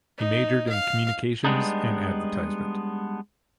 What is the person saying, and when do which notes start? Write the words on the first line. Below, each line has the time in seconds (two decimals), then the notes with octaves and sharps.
He majored in communications and advertisement.
0.18 D#4
0.69 F5
1.45 G3 G#3 A#3 B3 D4 D#4